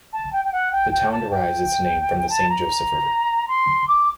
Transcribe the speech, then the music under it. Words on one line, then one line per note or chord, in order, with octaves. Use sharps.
The town derives its name from the Saint Joseph River.
A5
G5
G5
F#5
G5
G5
A5
G5
A5
A#5
C6
D6